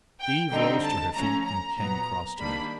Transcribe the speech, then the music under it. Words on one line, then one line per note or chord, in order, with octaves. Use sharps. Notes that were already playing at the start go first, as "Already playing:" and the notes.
Eve rose to her feet and came across to me.
G5
D3 G3 C4 D#4 G5
A5
F3 A3 C#4 A#5
A#5
A#2 F#3 B3 A#5
D#3 G3 A#3 D4 B5